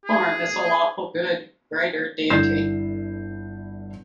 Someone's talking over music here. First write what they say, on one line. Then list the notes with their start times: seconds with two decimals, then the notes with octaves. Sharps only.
Torm is a Lawful Good greater deity.
0.06 G#4
2.30 G1 D3 E4 G6 C7 E7